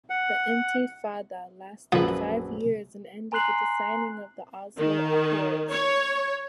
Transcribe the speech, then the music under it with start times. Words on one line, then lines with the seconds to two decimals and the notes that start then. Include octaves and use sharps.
The Intifada lasted five years and ended with the signing of the Oslo Accords.
0.10 F#5
1.92 A#1 F#2 F3 B4
3.32 G#5 A#5 C6 F#6 C7 F#7
4.77 D#3
5.70 C#5